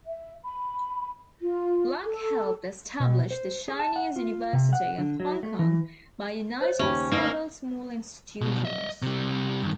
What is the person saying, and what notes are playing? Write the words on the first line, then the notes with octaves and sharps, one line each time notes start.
Black helped establish the Chinese University of Hong Kong by uniting several smaller institutions.
E5
B5
F4
A4
B2
C5
G#4
A5
F#5
F4
C3
F#5
D3
F#3
A3
E3
C5 C#5 D#5
D#2 C#3 C#4 G4 E5 A5 B5
D2 A#3 D#4 B4 F5 D6 E6
B2 G3
D#5 E5
C3 G3
G2 D#3